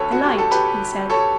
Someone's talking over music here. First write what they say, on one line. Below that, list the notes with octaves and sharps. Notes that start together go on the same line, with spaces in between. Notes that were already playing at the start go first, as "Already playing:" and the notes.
"A light," he said.
Already playing: D2 A4 B4 C#5
F#4
G4
A4
G4 B4
A4 C#5